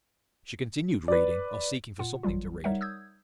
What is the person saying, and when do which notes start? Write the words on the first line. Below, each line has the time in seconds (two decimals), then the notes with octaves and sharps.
She continued reading, or seeking for something to read.
1.08 B4 D5
1.99 A#2 F4 F#5
2.23 A1 E3 F#3 G3 F4
2.64 G3 D#4 A#4 C#5 E5 F#5
2.81 D#6 E6 G6 G#6